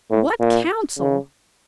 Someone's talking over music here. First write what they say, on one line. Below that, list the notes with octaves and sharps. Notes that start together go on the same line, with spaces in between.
"What council?"
A2
A#2
C#3